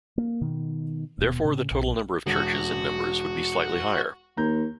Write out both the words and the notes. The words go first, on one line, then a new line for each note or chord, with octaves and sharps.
Therefore, the total number of churches and members would be slightly higher.
A#3
B2 D#3
D#1 B2
A2 C#3
A#1
E1 F#4
D#2 A#5 G6